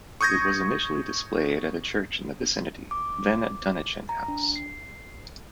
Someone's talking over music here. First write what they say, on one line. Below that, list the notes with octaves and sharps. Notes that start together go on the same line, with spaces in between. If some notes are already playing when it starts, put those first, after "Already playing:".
It was initially displayed at a church in the vicinity, then at Dunnichen House.
C#6 D#6 G6 G#6 A#6
D6
A#5
D4
C7